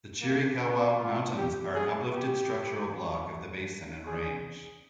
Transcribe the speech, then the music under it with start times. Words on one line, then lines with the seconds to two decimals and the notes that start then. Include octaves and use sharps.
The Chiricahua Mountains are an uplifted structural block of the Basin and Range.
0.21 A#3
0.59 B3
0.97 F4
1.37 G4
1.75 G#4
2.13 G4
4.06 G#4